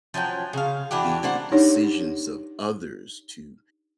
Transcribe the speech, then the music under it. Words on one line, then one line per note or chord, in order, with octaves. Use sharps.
the decisions of others to
F3 F#3 C#4 G5
C#3 F5
E3 D4 F#4 G4
A#3 D4 C5 F#5
D4 D#4 G4 C#5